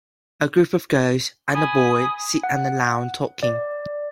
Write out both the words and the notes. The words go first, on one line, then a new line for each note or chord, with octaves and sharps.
A group of girls and a boy sit on the lawn talking.
G#5 B5 D#6
F#5
D5